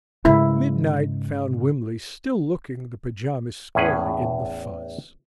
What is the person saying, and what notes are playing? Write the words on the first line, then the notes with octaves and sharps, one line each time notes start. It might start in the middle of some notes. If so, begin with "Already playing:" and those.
Midnight found Wimley still looking the pajamas squarely in the fuzz.
G#2 C#3 E4
E2 A2 C#4 G#4 B4